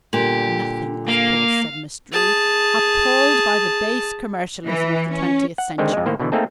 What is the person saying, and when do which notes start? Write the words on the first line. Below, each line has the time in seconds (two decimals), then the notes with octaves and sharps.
"Nothing, of course," said Miss Drew, appalled by the base commercialism of the twentieth century.
0.13 A#2 D3 G3 G4
1.08 A#3 F5
2.12 G#4 A5
4.66 E3
5.10 C#4
5.58 F#5
5.78 D3 D#3 G#3 C4
5.93 F2 G#3
6.06 A2 D#3 A#3 C5
6.20 B2 D3 E3
6.32 A3 A#3 C4 D#4 G#4 A4